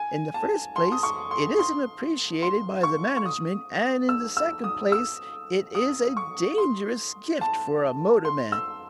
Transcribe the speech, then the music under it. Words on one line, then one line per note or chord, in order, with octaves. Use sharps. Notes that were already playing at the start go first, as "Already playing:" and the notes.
In the first place it isn't appreciated by the Management and in the second place it is a dangerous gift for a motor-man.
Already playing: G#5
A5
C6
D#6
C#6
C6
C6
C6
C#6
C#6
D#6
E6
E6
D#6
E6
D#6
C#6
C6
A5
C6
E6